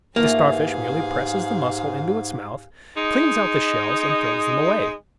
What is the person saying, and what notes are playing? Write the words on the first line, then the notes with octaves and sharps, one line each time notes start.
The Starfish merely presses the mussel into its mouth, cleans out the shells, and throws them away.
G#2 E3 A3 A#3 F4 G4 G#4 F5
G#3 D#4